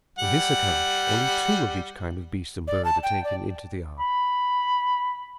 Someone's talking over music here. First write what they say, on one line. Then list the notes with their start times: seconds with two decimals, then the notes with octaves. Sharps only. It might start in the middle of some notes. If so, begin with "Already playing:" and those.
In this account only two of each kind of beast and bird are taken into the ark.
0.19 G3 F#5
2.68 D5
2.85 A5
3.03 G5
3.24 D5
3.99 B5